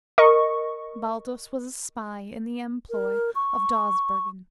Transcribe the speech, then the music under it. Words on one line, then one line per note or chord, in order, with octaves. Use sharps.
Baldos was a spy in the employ of Dawsbergen.
A#4 D#5 C#6
A#4
C#6